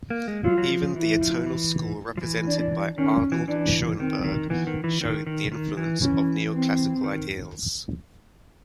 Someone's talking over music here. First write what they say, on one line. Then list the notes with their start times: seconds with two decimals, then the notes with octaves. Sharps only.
Even the atonal school, represented by Arnold Schoenberg, showed the influence of neoclassical ideas.
0.10 A#3
0.28 G#3
0.44 F#3 F4
0.58 F#3
0.70 F3
0.96 E3 E4
1.21 F3
1.46 E3
2.17 F3
2.21 E3
2.47 D4
2.98 D#3 C#4
3.32 E3
3.48 E3 D4
3.99 D#3 C4
4.24 D#3
4.50 E3 B3
4.67 D#3
4.84 E3
5.01 D#3
5.27 D#3
5.52 D#3
5.77 E3
6.01 E3 C#4
6.53 C4
7.04 D#3